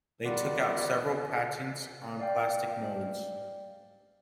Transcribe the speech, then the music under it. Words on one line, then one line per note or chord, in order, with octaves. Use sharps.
They took out several patents on plastic molds.
E2 D#3 G3 F4 D5 F#5
D5 F5 G5